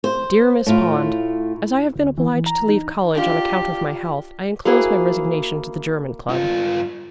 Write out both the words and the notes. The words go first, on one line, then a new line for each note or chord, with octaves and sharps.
DEAR MISS POND: As I have been obliged to leave college on account of my health, I inclose my resignation to the German Club.
C5
A2 F4
D2
E3
A#5
D#4
D4 F4 G4
A#3 E4 F#4 G#4 C5 G5
G2 F4